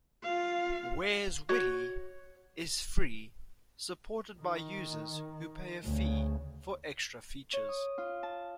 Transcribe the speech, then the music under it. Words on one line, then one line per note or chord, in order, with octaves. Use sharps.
"Where's Willy" is free, supported by users who pay a fee for extra features.
F4 F5
F#4 C#5
D#3
D2 C#3
C#5
D#6
F4
A5